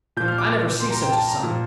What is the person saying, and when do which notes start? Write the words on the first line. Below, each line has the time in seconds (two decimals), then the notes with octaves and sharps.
I never see such a son.
0.17 A#2 G6
0.20 F3
0.28 F6
0.38 D6
0.80 C6
0.90 A#5
1.01 G5
1.12 A5
1.27 A#5
1.43 A#2 F3